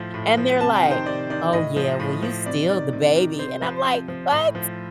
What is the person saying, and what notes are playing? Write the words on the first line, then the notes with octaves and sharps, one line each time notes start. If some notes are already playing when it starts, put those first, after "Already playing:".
And they're like, "Oh yeah, well, you still the baby,” and I'm, like, "What?
Already playing: A2 F3
A2
F3
C3 A5
G5
D#3
C5
C3 D5
D#3 D5
A2 D#5
F3
A2
F3
C3 D5
D#3 D5
C3
D#3
C3 C5
F3
C3
F3
A2
F3